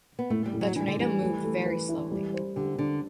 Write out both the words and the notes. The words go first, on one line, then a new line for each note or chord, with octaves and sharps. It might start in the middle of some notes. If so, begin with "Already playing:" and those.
The tornado moved very slowly.
B3
A2 A3
G3
A2
F#3
E3 D4
D3
E3 G3
A3
A3
B4
E4
G3
C5
D3 G4
D3 D4